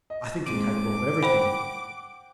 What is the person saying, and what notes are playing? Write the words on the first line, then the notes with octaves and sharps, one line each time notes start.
"I think him capable of everything."
D#5
G#2 C4 D6 D#7
C5 F#5 G5 B5